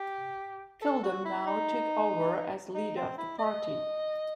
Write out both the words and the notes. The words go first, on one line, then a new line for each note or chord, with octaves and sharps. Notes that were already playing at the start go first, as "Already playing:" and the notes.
Kilbom now took over as leader of the party.
Already playing: G4
A4
F#4
E4
D#4
D#4
C4
E4
D#5